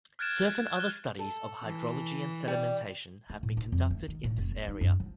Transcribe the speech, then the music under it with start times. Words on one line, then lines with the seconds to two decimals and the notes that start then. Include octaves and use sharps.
Certain other studies of hydrology and sedimentation have been conducted in this area.
0.19 F6 F#6 G#6 A6 D7 E7
0.76 F#6 G7
1.19 A4
1.64 E3
2.48 G3
3.30 A3
3.43 A2
3.57 E4
3.72 F2
3.91 A3
4.08 D#3
4.24 A2
4.38 F1
4.51 E2
4.68 D#4
4.81 F#2
5.00 F3